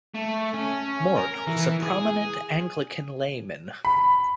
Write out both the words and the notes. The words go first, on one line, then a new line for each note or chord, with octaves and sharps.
Mort was a prominent Anglican layman.
A3
C#4
A#4
E3
G#4
B5